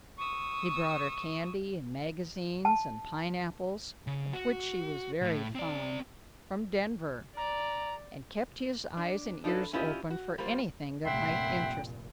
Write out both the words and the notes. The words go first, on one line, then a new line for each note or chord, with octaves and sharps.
He brought her candy and magazines and pineapples--of which she was very fond--from Denver, and kept his eyes and ears open for anything that might interest her.
C#6 D#6 E6
A5
C#3
F#4
A2
C4 D5
D5 A#5
D4
D4 D#4 F4 F#4 A4 B4
C#4 E4 F4 G4 C#5 D#5
F#4
G3 A#3 F4 B4 C5
F1 G2 A#2 E4 E5 F#5 G5 C6